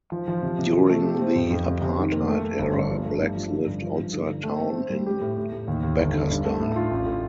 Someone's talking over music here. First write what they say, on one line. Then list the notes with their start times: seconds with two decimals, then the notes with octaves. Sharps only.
During the apartheid era, blacks lived outside town in Bekkersdal.
0.12 F3
0.28 F3
0.42 C3
0.58 C3
0.74 F3
0.89 A3
1.05 G4
1.20 C4
1.36 F2
1.51 F2
1.66 C3
1.81 C3
1.97 D#3
2.12 A#3
2.28 A3
2.43 A3
2.59 G1
2.74 G2
2.89 F3
3.05 A3
3.20 G2
3.36 F3
3.51 D3
3.67 G2
3.82 F3
3.98 G2
4.13 D3
4.29 D3
4.44 A3
4.59 C4
4.75 C4
4.90 G3
5.06 G4
5.21 A2
5.37 A2
5.52 A2
5.68 D#2
5.83 D#2
5.99 G1
6.14 D3
6.30 G2
6.45 A3
6.60 A2
6.76 F4
6.91 A1
7.06 A2